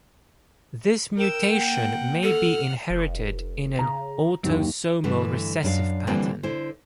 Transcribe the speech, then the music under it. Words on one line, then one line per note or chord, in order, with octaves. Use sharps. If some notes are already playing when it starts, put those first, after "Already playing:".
This mutation may be inherited in an autosomal recessive pattern.
A#4 G5 E6
A#3 F#5 G5
A4 F#5 F6
F1
C#3 A#5
F#1 D#2 C4
G2 D3 E3 A3
F#2 D4 A#4 F5
D3 E3 F3 G3 A#3 C4
D3 E4 C5